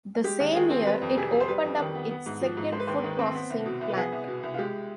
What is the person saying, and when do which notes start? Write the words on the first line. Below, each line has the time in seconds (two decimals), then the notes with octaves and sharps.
The same year, it opened up its second food processing plant.
0.24 G#3 G4
0.40 D#2
0.55 D#3 G#4
0.70 C4
0.86 G3 B4
1.02 F2
1.17 C3 G#4
1.33 F2
1.40 C5
1.48 G3 B4
1.64 F2
1.80 D#3
1.95 B3
2.11 B3
2.26 G#2
2.41 F3
2.57 G#2
2.72 G#3 C5
2.80 B4
2.87 D#2 C5
3.03 D#3
3.19 C4
3.35 B3
3.50 C2
3.65 B2
3.81 C2
3.89 B4
3.96 B3 G#4
4.12 C2
4.28 B2
4.43 C2
4.54 F4
4.58 G#3 G4